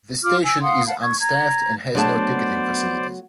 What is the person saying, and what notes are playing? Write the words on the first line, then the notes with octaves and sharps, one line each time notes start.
The station is unstaffed and has no ticketing facilities.
F4 D6 F6
G#5 E6
F5 F#5 C6 D#6
F5 F#5 A5 B5
C#6 G#6
A#5 G#6
F#3 A3 B3 D4 G#4 C5 D5 A5